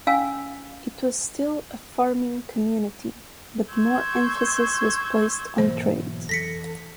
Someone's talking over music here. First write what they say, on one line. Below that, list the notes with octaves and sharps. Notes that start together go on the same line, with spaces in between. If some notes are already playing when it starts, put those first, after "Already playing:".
It was still a farming community but more emphasis was placed on trades.
C#4 F5 G#5 E6
C6 C#6 E6 G6 G#6
G#2 B2 E3 F#3 A#3 C5
F2 E3 A4 A#6 B6 C#7